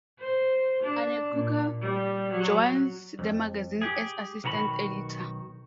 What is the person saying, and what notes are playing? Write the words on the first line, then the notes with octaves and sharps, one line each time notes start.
Anne Coker joins the magazine as Assistant Editor.
C5
D4
A#2
G3
F#3
F2
G4 G#4
B1 D#3 F#4 A#5 B5